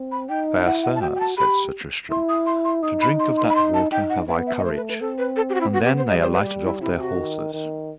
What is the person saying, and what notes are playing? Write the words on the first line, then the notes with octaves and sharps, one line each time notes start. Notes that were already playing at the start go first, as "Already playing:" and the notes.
Fair sir, said Sir Tristram, to drink of that water have I courage; and then they alighted off their horses.
Already playing: C4
B5
D#4 G5
E4 F#5
F#5
A5
F#4 G5
G5
A5
G4 B5
E4 C6
D#6
C6
C6
D#4 D#6
B5
C6
C6
B5
C6
A5
D#4 G5
F#5
B3 E5
E5
D#5
A3 C5
B4
B4
C4 A4
B4
A4
G4
F#4
E4
B3 F#4
G4
C5
G3 D#5
C5
B4
G4
E4
C3 E4
F#4
D#3
D#3